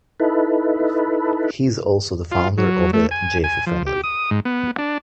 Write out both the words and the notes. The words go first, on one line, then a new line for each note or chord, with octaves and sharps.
He is also the founder of the Jaffe family.
D#4 E4 A4 B4
F4
F#3
A3
G#5
G#5
F3
G4
D#6
G#2
B3
D4